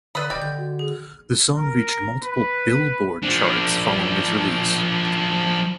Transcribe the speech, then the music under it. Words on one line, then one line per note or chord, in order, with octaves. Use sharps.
The song reach multiple "Billboard" charts following its release.
D3 B4 D5 B5 C6 D#6 E6 A6
D#1 G3 D#5 G5
D3 G6
F#4
G#4
A#4
B4
F3 D4